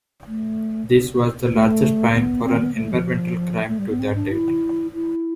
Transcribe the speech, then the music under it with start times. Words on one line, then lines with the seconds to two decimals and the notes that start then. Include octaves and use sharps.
This was the largest fine for an environmental crime to that date.
0.27 A3
1.51 A3
2.13 B3
2.45 C4
2.59 B3
2.75 A3
2.92 F3
3.69 A3
3.79 G3
3.90 B3
4.00 C4
4.16 D4
4.31 E4
4.94 E4